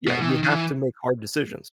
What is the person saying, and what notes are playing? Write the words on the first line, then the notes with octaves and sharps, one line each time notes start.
Yeah, you have to make hard decisions.
B2
E3
D#3
D#3
E3